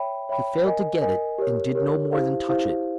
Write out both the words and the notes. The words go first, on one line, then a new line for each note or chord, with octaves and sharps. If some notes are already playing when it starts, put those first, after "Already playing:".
He failed to get it, and did no more than touch it.
Already playing: C#5 E5 G5 B5
C#5 E5 G5 B5
A#4 D#5 G#5
A#4 D#5 G#5
G4 A#4 C#5
G4 A#4 C#5
E4 G4 C5 F5
E4 G4 C5 F5